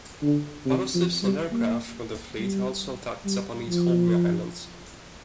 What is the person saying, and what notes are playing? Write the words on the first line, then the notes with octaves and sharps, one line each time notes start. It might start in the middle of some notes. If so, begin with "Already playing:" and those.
Battleships and aircraft from the fleet also attacked the Japanese home islands.
D3
C3
F3
G3
A#3
G3
G3
F3